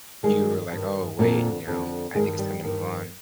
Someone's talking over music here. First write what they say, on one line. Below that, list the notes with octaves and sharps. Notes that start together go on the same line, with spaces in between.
you're like, "Oh, wait," you know? "I think it's time to move on."
G2 D#3 G#3
G2 D#3
F2 A#2 D3 A#3
F2 D3
G2 D#3 G#3
G3
G2 D#3